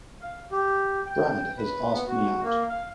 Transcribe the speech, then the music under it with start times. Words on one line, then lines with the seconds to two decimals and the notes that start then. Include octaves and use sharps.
Brad has asked me out.
0.21 F5
0.52 G4
1.06 G5
1.57 B4
1.92 B3
2.07 F#4
2.43 A#3
2.69 F5